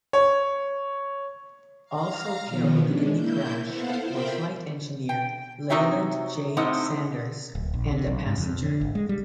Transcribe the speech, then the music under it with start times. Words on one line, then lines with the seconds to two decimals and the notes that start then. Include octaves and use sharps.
Also killed in the crash were flight engineer Leland J. Sanders, and a passenger.
0.13 C#5
1.85 F5 A#5 F6
2.46 B2 D#3 F3 B3
2.83 G#3 C#4 D4
3.12 A#3 E4 G6
3.64 B3 E4 A4 C5 F5 F#5
4.01 F4 A#4 C5 E5 G5 B5
5.09 G5
5.70 C3 D#4 F#4 E5 G5
6.57 A2 C3 C4 D#4 F#5
7.55 D1
7.74 A#1
7.91 C3
8.07 B1
8.26 G#2
8.38 F2
8.62 D3
8.81 G#1
8.95 G#3
9.09 G3